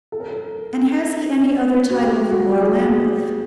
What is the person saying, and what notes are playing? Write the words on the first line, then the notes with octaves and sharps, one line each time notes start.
"And has he any other title than Lord Lambeth?"
A4
A#4
A4
F#4
G4
F#4
G4
G#4